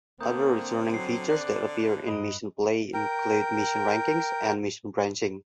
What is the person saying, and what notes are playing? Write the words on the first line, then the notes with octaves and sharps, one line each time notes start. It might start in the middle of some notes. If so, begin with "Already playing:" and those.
Other returning features that appear in mission play include mission rankings and mission branching.
D3 A#3 C4 A#5 D#6 G6
F#3 C7
D5 F#6 F#7
G2 D#5 B5 D7
A#4 G5